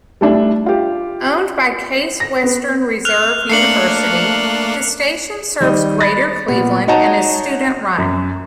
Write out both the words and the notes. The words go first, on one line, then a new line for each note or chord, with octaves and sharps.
Owned by Case Western Reserve University, the station serves Greater Cleveland and is student-run.
G3 A3 D4 E4
F4 G4
A#6
B3
F6 F#6 F7
A3 A#3 D4 C7 C#7 F#7
D#3 G3 D#5
B5 A6 A#6
A#2 B3
D#4 F#4 C#5 D#5 A5 A#5
F#2